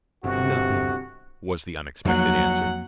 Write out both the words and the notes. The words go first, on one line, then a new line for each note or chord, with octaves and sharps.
"Nothing," was the unexpected answer.
G1 C3 F#4
F2 F3 F#3 A#3 F#5